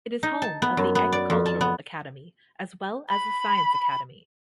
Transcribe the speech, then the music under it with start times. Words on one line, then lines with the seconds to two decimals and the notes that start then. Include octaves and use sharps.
It is home of the Agriculture Academy as well as the Science Academy.
0.23 D#4
0.42 A5
0.62 B3
0.77 F#2
0.95 B3
1.12 D5
1.30 F2
1.46 A5
1.61 B3
3.07 B5